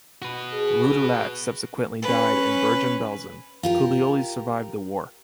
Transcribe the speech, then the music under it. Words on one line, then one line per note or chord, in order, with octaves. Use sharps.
Rudellat subsequently died in Bergen-Belsen; Culioli survived the war.
F#4 B4
G#4
C#4 B4
F4 G4 A#4